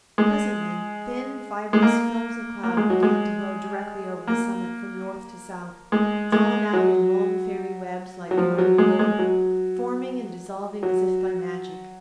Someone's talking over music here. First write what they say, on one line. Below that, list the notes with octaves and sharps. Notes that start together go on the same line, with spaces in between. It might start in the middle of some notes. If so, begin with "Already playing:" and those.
Presently thin, fibrous films of cloud began to blow directly over the summit from north to south, drawn out in long fairy webs like carded wool, forming and dissolving as if by magic.
G#3
G#3
A#3
A#3
G#3
F#3
G#3
A#3
G#3
G#3
F#3
F#3
F3
F#3
G#3
G#3
F#3
F#3